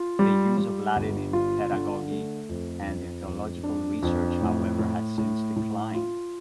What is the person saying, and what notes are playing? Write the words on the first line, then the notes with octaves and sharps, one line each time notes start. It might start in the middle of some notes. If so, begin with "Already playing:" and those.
The use of Latin in pedagogy and in theological research, however, has since declined.
Already playing: F4
G3
G3
G1
F4
D3
A3
F2
F2
F2
D4
F2
A2
A2
A2
A2
F4